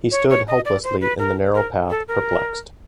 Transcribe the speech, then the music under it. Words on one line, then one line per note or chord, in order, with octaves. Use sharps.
He stood helplessly in the narrow path, perplexed.
C#5
C#5
D#5
D5
C5
B4
A#4
A#4
A4
A#4